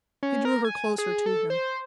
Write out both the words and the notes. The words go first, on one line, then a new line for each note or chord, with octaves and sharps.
He drew her closer to him.
C#4
A#4
G#5
G#4
A4
C5